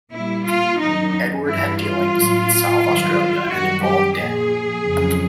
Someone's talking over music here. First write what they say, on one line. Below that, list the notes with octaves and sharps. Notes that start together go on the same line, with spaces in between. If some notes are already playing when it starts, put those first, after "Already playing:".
Edward had dealings in South Australia and involved Daniel.
A#2 G3 E4
F4
F#2 D#3 F#3 D#4
G2 E3 G3 E4
F4
A2 F#3
G2 D#3 F#3
F#2 D#3 G3 F#4
G4
A#2 F3 G#4
F2 C#3 F#3